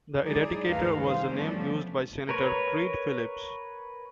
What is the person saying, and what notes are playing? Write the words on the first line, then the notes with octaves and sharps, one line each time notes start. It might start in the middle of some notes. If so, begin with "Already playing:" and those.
The Eradicator was the name used by Senator Creed Phillips.
F#3 G#3 D#4 E4 G#4 D5
D2 G2 D#3 A#4 B4 F5
G#4 C5 F5
F3 G3 A3 B3 C#4 D4
A#4 B4 C#5